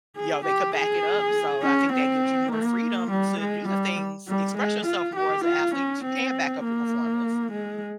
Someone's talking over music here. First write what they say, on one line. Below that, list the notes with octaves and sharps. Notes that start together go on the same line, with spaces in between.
you know, they could back it up, so I think that gives you more freedom to do the things, express yourself more as an athlete if you can back up your performance.
G#4
G4
G#4
C#4
C4
A#3
G3
G#3
G3
G3
G#3
F4
G4
F4
C#4
C4
A#3
G#3